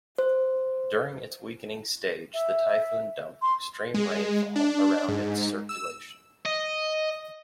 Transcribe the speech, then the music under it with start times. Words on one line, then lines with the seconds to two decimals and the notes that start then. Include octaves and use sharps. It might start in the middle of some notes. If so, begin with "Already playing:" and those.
During its weakening stage, the typhoon dumped extreme rainfall around its circulation.
0.18 C5
2.34 E5
3.42 C6
3.94 G#3
4.56 D4
5.08 G#2
5.69 E6
6.45 D#5